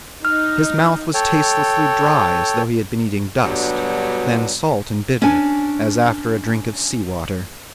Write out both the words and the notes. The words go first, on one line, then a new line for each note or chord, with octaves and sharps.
His mouth was tastelessly dry, as though he had been eating dust, then salt and bitter as after a drink of sea-water.
D#4 F6
A4 C#5 G5
D2 G2 B2 F#3 G3 B3
C#4 D4 G#5